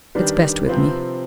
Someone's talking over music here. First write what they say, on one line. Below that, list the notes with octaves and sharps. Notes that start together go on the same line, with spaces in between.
"It's best with me."
D#3 G3 D4 G4 B4
C3 F3 C4 F4 B4